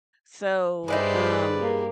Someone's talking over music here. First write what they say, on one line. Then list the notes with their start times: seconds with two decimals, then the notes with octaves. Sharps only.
So, um,
0.88 G2 D#4 E4 G4 G#4 B4 C5 D5
1.57 A#3 G4